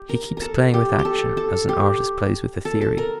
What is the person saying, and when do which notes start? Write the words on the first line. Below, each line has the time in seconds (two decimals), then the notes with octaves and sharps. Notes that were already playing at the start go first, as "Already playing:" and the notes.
He keeps playing with action as an artist plays with a theory.
Already playing: G4
0.09 A#4
0.37 A4 A#4
0.74 G4
0.99 G4
1.05 A4
1.37 A4
1.69 G4
2.65 A4
2.81 A4
2.98 A#4